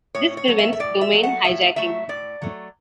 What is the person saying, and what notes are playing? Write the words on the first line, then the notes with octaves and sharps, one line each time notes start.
This prevents Domain hijacking.
A2 C#5
C#5
F#3 A3
E5
E5
A2 D5
E5
F#3 A3
F#5
A2 E5
F#3 A3 E5
A2 D5
F#3 A3